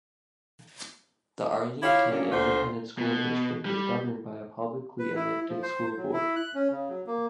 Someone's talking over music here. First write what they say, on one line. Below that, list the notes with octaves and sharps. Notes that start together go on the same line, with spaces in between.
The Arlington Independent School District is governed by a publicly elected school board.
E4 F4 G4 C#5 F5
C#3 F#3 A#3 C#4 D4
D2 D3 A3 F4 C5
B2
G3
B4
E4
F3
C5
F#3
E4
F#6
C#4
C#3
F#3
A#3